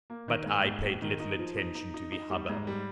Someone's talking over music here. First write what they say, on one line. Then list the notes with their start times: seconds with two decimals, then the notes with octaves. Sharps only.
But I paid little attention to the hubbub.
0.10 A#3
0.28 D#3
0.46 G#2
0.65 G#2
0.83 A#1
1.02 D#3
1.20 D#4
1.39 F3
1.57 D#4
1.75 D#4
1.94 D#4
2.12 D#4
2.30 G3
2.49 G#2
2.67 G3